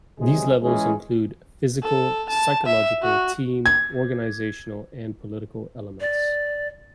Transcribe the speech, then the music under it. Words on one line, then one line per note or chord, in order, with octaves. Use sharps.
These levels include physical, psychological, team, organizational, and political elements.
B1 C3 G#3 G#4
E3 G#3 C#4 G#4
A4
A5
E5
F#4
G#6
D5